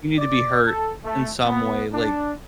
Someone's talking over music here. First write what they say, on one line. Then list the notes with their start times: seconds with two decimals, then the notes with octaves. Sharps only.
you need to be hurt in some way, like
0.17 D5
0.67 A4
1.04 A3
1.44 B3
1.93 D4